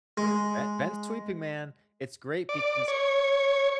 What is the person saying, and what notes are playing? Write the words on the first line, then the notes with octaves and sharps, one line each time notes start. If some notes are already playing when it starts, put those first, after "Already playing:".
Vent vent-sweeping, man, it's great because
G#3
D5
C#5